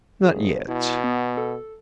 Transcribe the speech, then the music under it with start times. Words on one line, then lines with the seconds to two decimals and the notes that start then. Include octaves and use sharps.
"Not yet."
0.25 G1 G#4
0.68 B2 E4
1.04 B3
1.37 A4